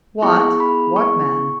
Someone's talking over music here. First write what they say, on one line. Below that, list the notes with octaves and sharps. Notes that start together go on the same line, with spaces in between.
"What--what man?"
B3 E4 G#4 C#6
B5
C#6